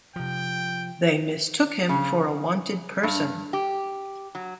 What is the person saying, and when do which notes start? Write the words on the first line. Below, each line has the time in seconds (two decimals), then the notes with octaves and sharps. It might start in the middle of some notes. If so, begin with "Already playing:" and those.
They mistook him for a wanted person.
0.16 C3 F3 G5
1.89 C#3
3.03 G2
3.53 G4
4.35 F#3